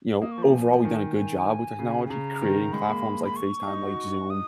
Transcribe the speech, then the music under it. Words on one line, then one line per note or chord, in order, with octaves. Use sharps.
you know, overall, we've done a good job with technology, creating platforms like FaceTime, like Zoom,
A#3 D#6
C#6
F3
A#5
F3 G#5
F3
D#3
G#5
C#3
G#5
C#3 A#5
D#3
G#3 B5
A#3
B5
C#6
D#4
F#4
D#6